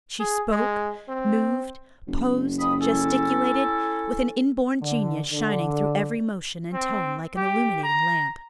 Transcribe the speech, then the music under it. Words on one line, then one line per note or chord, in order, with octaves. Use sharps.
She spoke, moved, posed, gesticulated, with an inborn genius shining through every motion and tone like an illuminating lamp.
G#4
G#3
C4
F#1
F2 B5 D#6
C#4 E4 A4
D3
D3
C4
G4
A#5